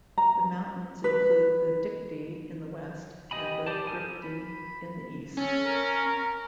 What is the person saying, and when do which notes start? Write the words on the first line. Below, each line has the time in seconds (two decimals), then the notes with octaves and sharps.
The mountains include the Dikti in the west and the Thrypti in the east.
0.18 A#5
1.04 B4
3.31 G4 D#5 G#5 B5
3.67 G4 C5 D5 A5
3.87 A4 A#4 C5 G#5
4.22 B5
5.37 C#4 A4
5.65 A#4